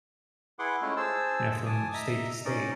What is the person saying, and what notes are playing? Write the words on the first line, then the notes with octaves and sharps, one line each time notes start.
you know, from state to state.
E4 G#4 B4 F#5 C6 D6
G#3 A3 C#4 E4 F4
G#4 C5 A5 E6
G#5 A5 D6 D#6
D#5 E5 A#5
C#4 D#4 D5 D#5